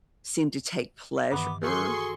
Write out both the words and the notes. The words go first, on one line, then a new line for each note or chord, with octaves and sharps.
seem to take pleasure
G2 D#3 E3 B3 D6
F#4 G#4 A4 C6 C#6